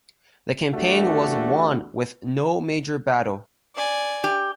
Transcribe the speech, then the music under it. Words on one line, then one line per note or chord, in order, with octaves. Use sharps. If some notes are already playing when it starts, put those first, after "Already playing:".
The campaign was won with no major battle.
A1 E2 A3 D4 F#4 G4
D5 G#5
G4